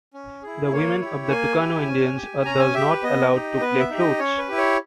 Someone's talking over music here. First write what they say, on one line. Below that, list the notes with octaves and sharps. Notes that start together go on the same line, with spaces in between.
The women of the Tukano Indians are thus not allowed to play flutes.
C#4
E4 G#4
A#3 C#5
E4 G4
A#3 G#5
E4 G4
C#4
G4
C#4 A#5
G#5
G4 E5
B4
B3 D#5
D#4 G4
B3 B4
E5
D#4 G4
D#5
C#4 C#5
B4
E4 G4
C#5